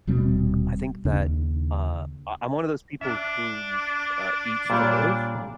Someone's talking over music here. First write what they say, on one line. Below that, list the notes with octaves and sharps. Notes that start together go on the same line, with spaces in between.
I think that, uh, I I'm one of those people who, uh, eats to live
D#1 B2 G3 C4
D#2 C#3 D4
D4 E5
A#2 G3 C#5